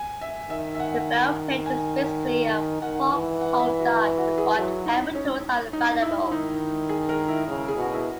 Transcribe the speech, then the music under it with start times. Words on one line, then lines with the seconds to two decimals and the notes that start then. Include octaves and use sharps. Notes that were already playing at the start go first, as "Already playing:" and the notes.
The bell pit is basically a foxhole dug with whatever tools are available.
Already playing: G#5
0.21 E5
0.50 D#3 E5
0.74 E5
0.80 F#5
1.66 G#5
2.82 D#3 F#5
3.12 E3
3.41 F#5
3.60 E5
3.79 F#4
4.18 F#4
4.38 G#4
4.57 F#3 E4
4.86 D#4
5.15 C#4
5.73 D#4
6.02 E4
6.31 D#3 D#4
6.89 G#4
7.09 A#4
7.28 E4
7.47 C#3
7.68 G#4
7.76 B2 F#4
7.94 E4